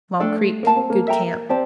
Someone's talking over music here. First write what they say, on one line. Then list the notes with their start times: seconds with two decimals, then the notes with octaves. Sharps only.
Small Creek.--Good camp.
0.20 A3 D4 A4 D5 G5
0.63 A#3 A#4 F5 A5
0.76 C4
0.90 A#3
1.07 A4 E5 G5 A#5
1.49 C4 G4 D5 A5